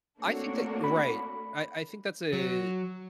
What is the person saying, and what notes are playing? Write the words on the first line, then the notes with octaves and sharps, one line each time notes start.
I think that right, I I think that's a it
A3 A#3 C4 D4 F#4 C#5
B5
F#3